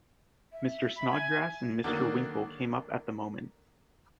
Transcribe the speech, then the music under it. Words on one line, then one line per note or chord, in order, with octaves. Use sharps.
Mr. Snodgrass and Mr. Winkle came up at the moment.
E5
B5
G#5
D3 D#3 F#3 A#3